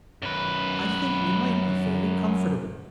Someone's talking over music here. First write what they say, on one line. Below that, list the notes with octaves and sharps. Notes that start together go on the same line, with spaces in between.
I think we might be fairly comfortable.'
F#2 B4